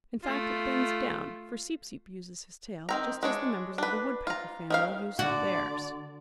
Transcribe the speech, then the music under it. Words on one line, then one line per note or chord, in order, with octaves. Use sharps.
In fact, it bends down, for Seep-Seep uses his tail just as the members of the Woodpecker family use theirs.
A3 F4
D#3 C4 A#5
G#3 D4 C#5
D4 B4
F4 A#5
D#3 C#4 F5
D3 F#4 D5